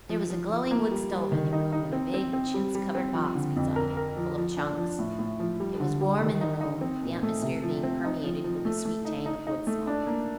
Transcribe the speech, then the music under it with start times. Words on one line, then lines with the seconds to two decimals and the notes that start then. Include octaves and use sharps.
There was a glowing wood stove in the room and a big, chintz-covered box beside it, full of "chunks." It was warm in the room, the atmosphere being permeated with the sweet tang of wood smoke.
0.09 F3
0.30 F3
0.50 F3
0.71 A#3
0.91 G3
1.12 G3
1.32 D#3
1.53 D#4
1.72 D#4
1.92 C4
2.14 C4
2.33 C4
2.54 G3
2.75 G3
2.95 C4
3.14 F3
3.35 D3
3.56 F2
3.76 A#4
3.97 A#4
4.17 F3
4.38 F3
4.57 D4
4.77 F3
4.99 A2
5.19 A2
5.40 F3
5.60 G3
5.80 D3
6.01 G3
6.21 D#3
6.41 D#4
6.61 D#4
6.81 C4
7.02 A#2
7.23 A3
7.42 C3
7.62 F3
7.83 C4
8.04 D#4
8.24 F3
8.44 F3
8.65 A3
8.85 A3
9.05 D#4
9.26 D#4
9.47 D#4
9.67 A3
9.87 D4
10.07 A#3